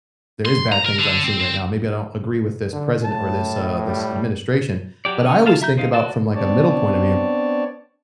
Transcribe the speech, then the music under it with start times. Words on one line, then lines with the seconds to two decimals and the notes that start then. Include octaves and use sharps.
There is bad things I'm seeing right now. Maybe I don't agree with this president or this uh, this administration,” but I always think about from, like, a middle point of view.
0.45 C6
0.72 A#5
0.86 A#4
0.99 D3
1.24 C4
1.41 C4
2.72 D3
3.03 A2 A5
3.86 G3
5.05 F#3 G4 D5
5.26 C#4
5.46 F4 F5 A5
5.62 E5 A#5 G6
5.78 C4 D#4 F5
5.93 F#4 A4 D5 A5
6.35 B3 C4 D4 C#5 D5 A5